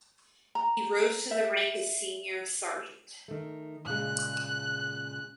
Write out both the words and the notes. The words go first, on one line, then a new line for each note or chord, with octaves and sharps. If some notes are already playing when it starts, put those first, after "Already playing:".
He rose to the rank of senior sergeant.
A#5
E5
D#3 A3
A#2 C#3 G#3 F#6